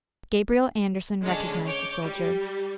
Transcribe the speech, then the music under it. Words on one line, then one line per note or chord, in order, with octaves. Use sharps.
Gabriel Andersen recognised the soldier.
D3 G#3 C#4 D4
C#5 D6 G6
G3